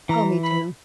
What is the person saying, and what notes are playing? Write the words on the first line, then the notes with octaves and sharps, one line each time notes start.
Oh, me too.
E3 A#5
B5